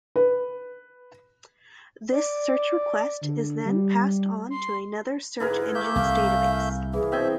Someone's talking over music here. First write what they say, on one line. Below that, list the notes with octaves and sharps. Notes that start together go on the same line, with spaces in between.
This search request is then passed on to another search engine's database.
B4
D5
D3
G3
C6
G#2 D3 E4 G#4 A#4 B4
A3 A#3 E5 G6
C2 F5
E3 G#4
B2 C4 E5 G5 G#5